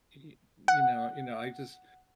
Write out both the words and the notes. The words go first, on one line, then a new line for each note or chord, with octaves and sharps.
y y you know you know, I just
F#5